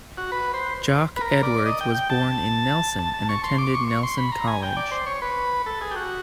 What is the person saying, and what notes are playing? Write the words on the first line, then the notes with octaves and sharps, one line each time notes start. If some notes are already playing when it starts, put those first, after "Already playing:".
Jock Edwards was born in Nelson, and attended Nelson College.
F#4
B4
C5
B4
A#4
D5
D#5
G5
G5
A5
A5
A5
C#6
C6
D6
C#6
C#6
C6
B5
A#5
G#5
G5
D5
C5
C#5
B4
A4
G#4
G4
F#4